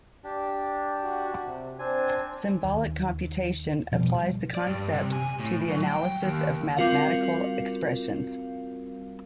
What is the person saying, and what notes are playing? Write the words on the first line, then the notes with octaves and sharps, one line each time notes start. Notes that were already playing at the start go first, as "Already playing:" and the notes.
Symbolic computation applies the concept to the analysis of mathematical expressions.
D4 G4
F#4
C3
C4 D4 C5 G#5
D#2
B2 F3 G3
D5
G2
C3
G#5
A2
F#3
G5
D#2
G3 C4 F4 F#4 A#4 F5